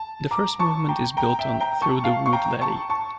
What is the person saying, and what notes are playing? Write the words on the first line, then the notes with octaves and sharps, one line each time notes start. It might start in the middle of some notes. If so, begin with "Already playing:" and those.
The first movement is built on "Through the Wood Laddie".
Already playing: A5
A#5 D6
A5 C#6
G5 A#5
G5 A#5
E5 G5
G5 A#5
A5 C#6
F5 A5
C#6
G5 A#5
A5 C#6
A5 C#6